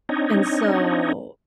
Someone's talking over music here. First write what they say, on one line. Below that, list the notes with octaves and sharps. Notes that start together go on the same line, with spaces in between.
and so
C4 D4 D#4 C#5 D#5